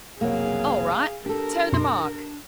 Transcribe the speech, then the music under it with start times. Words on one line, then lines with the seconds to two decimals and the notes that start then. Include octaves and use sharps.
"All right, toe the mark!"
0.21 F1 B1 C3 F#3 A#3 G#4 F5
1.26 D4 G4 A4 A#4
1.72 F#2 B2 C6